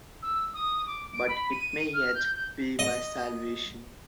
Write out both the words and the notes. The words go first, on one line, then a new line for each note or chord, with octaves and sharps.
But it may yet be my salvation.
E6
D#6
D6
D7
B5
D#7
F6
G6
G6
D#5